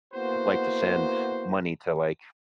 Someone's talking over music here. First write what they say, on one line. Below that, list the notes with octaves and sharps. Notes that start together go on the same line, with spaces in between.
liked to send money to, like,
A#3 B3 E4 F#4 C5